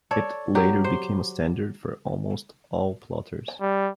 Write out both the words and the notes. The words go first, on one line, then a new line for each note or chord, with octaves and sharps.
It later became a standard for almost all plotters.
A4 C#5 D5
F#3 G4
C5
G3